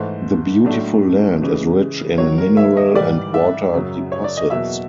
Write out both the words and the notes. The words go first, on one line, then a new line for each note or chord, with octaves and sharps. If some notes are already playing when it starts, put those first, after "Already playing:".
The beautiful land is rich in mineral and water deposits.
Already playing: G#2 E3 A3 C5
A2 F#3 A3 D4
C#3 E3 G#3 C#4
D#3 F#3 A#3 C#5
A#4
E5
D#5
G#2 E3 G3 D5
E5
F#2 C#3 F#3
C#5
D5
D#5
E2 B2 F#3 A#3 E5